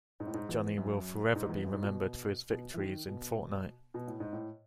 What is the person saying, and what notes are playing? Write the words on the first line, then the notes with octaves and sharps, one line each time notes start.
Johnny will forever be remembered for his victories in Fortnite.
G#2
A2
G#2
E2
F#2
G#2
E2
F#2
G#2
B2
B2
E3
D#3
B2
B2
A2
G#2
A2